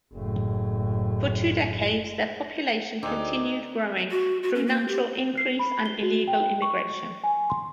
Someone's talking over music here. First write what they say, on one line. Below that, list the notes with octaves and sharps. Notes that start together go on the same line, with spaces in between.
For two decades, their population continued growing through natural increase and illegal immigration.
F#1 A2
D2 C4 D4 D#4 G#4 D6
F#4
F#4
C#4
A#3
G4
C7
B5
G7
F#4
G5
C#6
G#5
C6